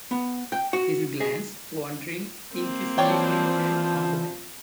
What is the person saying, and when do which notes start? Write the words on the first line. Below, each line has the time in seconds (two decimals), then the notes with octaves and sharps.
His glance, wandering inquisitively, fell on the bed.
0.11 B3
0.52 G5
0.73 F#4
1.20 G#4
2.54 A#3 C4
2.98 E3 F3 D4 C#5 G5